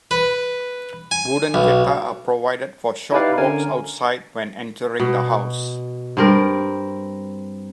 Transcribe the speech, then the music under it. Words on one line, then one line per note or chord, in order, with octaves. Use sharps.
Wooden "geta" are provided for short walks outside when entering the house.
B4
G#5
B1
D#4 E4 G4 B4 D5 F5
D3 C#4 A#4 G#5
B2
G2 C4 A#4